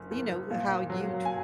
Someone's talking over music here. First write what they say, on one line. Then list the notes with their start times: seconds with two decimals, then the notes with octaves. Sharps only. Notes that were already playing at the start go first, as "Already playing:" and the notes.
you know, how you tr
Already playing: F#1
0.11 F#1
0.50 A#2
0.90 F#3
1.25 G#5